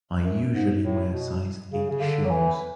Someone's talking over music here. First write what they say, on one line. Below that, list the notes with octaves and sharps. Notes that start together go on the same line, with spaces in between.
I usually wear size eight shoes.
F#2
G#2
A2
B2
C#3
C#3
D3
F#3
E3